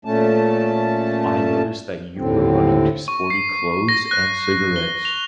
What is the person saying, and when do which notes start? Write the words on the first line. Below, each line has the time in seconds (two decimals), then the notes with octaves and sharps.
I noticed that you were running to sporty clothes and cigarettes.
0.05 A#2 A3 C#4 A5
2.18 D#2 A2 D3 C4
3.08 C#6
3.30 C7
3.89 A#6
4.11 F#6
4.76 G7
5.05 F7